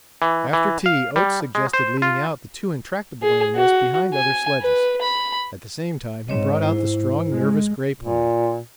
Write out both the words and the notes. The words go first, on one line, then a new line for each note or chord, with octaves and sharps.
After tea Oates suggested leading out the two intractable animals behind other sledges; at the same time he brought out the strong, nervous grey pony.
E3
E3
F5
G3
G#3
C5
F4
G#4
F#4
G#5
B4
B5
G#2 C4 C#5 D#5
E4 C5
G#3
A#2